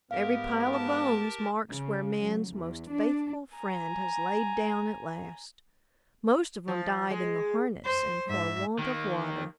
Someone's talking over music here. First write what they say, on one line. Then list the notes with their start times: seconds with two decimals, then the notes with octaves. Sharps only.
Every pile of bones marks where man's most faithful friend has laid down at last: most of 'em died in the harness and for want of water.
0.11 G#2 B3 G4 A#4 F5
0.74 A5
1.69 C#3
2.21 F#3
2.52 E2
2.92 D4
3.56 G#5 A#5
6.68 F3
7.11 G#3
7.84 C5
8.27 G#2 E5
8.78 D#3 A#3